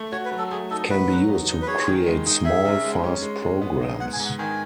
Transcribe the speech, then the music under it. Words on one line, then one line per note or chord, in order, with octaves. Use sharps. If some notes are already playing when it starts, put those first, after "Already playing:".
It can be used to create small, fast programs.
Already playing: A3
F#4 C#5
B4
F#3
A4
A3 G#4
D#4 A4
F#4 B4
F#3
B3
D#4
B4
G#4 C#5
D#3
G#3
D#4
G#4 E5
C#3
G#3
C#4
G#3
G#3
B3
D#4
G#2 F#5
G#5
G#2
F#5
D#3 G#5